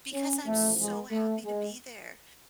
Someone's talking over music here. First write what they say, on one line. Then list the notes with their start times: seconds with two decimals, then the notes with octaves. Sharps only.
because I'm so happy to be there,
0.13 C#4
0.46 A1 G#2 F3 A3
0.79 G#3
1.12 A3
1.45 G#3